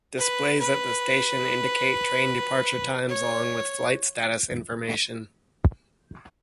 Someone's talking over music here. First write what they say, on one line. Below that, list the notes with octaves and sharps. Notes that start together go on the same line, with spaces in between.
Displays at the station indicate train departure times along with flight status information.
B4
B4
C#5